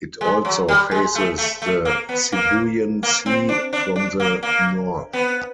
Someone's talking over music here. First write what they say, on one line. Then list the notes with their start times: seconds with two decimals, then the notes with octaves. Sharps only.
It also faces the Sibuyan Sea from the north.
0.21 G#3
0.45 F#3
0.68 G3
0.91 G#3
1.15 A3
1.38 A3
1.62 A3
1.85 A#3
2.09 B3
2.32 A#3
3.03 A#3
3.26 C4
3.49 D4
3.73 D4
3.96 D4
4.20 A#3
4.43 A#3
5.13 B3